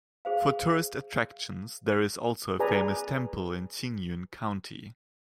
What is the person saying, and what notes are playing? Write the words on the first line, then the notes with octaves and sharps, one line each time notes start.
For tourist attractions, there is also a famous temple in Qingyun County.
G#4 C5 F5
G#4 B4 D5 G#5 A#5